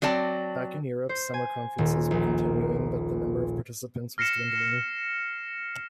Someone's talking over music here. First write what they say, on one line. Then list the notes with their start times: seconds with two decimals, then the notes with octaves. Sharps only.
Back in Europe, summer conferences were continuing but the number of participants was dwindling.
0.02 F#3 C4 D5 A5
1.09 C5
1.34 G#5
1.78 D#1
2.11 A#1
4.18 F6 A#6 C7 C#7 E7